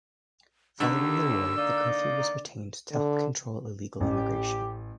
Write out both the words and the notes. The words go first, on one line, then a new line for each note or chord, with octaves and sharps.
Following the war, the curfew was retained to help control illegal immigration.
D#2 D3 E6
A#3 D#4 D5
D3
A1 G4